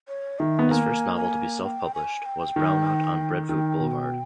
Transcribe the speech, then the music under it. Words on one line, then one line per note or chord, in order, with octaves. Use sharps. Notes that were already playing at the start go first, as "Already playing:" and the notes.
His first novel to be self-published was "Brownout on Breadfruit Boulevard".
C#5
D#3 E5
B3
A#3 G#5
G#5
G5
G#5
G5
D#3
D#3 G5
B2